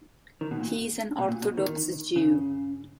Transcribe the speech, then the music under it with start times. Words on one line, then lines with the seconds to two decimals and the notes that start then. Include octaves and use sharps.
He is an Orthodox Jew.
0.41 D#3
0.51 B2
0.60 A#2
1.19 B2
1.28 A#2
1.44 B2
1.58 D#3
2.16 C#3